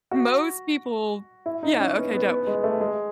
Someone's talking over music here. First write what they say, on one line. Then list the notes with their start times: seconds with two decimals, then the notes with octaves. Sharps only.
most people yeah, okay, dope
0.11 F#4
1.46 E4
1.63 D#4
1.80 C#4
1.96 B3
2.13 B3
2.29 B3
2.47 G#3
2.63 A3
2.80 G#3